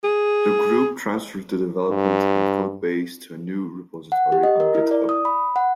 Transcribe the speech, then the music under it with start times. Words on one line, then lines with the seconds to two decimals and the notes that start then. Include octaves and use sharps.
The group transferred the development and codebase to a new repository on GitHub.
0.04 G#4
1.89 G2
4.12 F#5
4.32 G4
4.43 D#5
4.60 A#4
4.75 E4
4.91 D5
5.09 D#6
5.25 B5
5.56 F#5